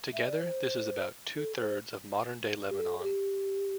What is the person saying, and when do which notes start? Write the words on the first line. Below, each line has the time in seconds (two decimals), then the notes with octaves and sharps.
Together this is about two thirds of modern-day Lebanon.
0.13 E5
0.27 D5
0.40 C5
1.36 A4
1.60 C5
2.69 G4
2.79 A4
2.99 A4
3.03 G4